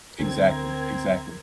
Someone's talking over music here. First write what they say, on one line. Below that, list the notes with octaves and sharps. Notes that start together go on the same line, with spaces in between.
Exactly, exactly.
D2 D3 C4 D4 A#4 G#6